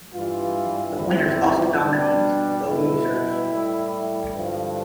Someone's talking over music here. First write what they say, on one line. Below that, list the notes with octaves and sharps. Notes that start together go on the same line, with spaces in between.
The winners also dominate the losers.
G2 E3 G3 F4
E2 C3 G3 E4
B2 G3 D4
B2 G3 E4
A2 G3
G2 D3 F3 E4